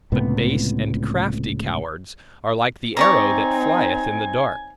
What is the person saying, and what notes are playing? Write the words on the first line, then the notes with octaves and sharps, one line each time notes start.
But base and crafty cowards, are like the arrow that flieth in the dark.
C#2 A2 C3 B3
C4 D#4 C#5 D5 G#5 A#5